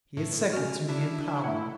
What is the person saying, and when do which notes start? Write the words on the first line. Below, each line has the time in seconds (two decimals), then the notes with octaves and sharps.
He is second to me in power.
0.17 A2
0.53 C#4 F#4 F6
0.89 D4 E4
1.44 A3 E4 F#5